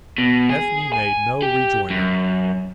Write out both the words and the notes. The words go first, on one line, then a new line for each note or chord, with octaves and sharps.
Ethne made no rejoinder.
B2
G#4
G#5
G4
F#2